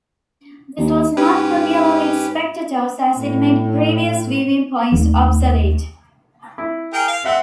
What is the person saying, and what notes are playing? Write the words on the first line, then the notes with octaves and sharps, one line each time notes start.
This was not popular with spectators as it made previous viewing points obsolete.
D#2
G#2 C#4 G4 B4
A2
D#2 A3
E4
G#4 A#4 G5
F5
C4 E5 F#5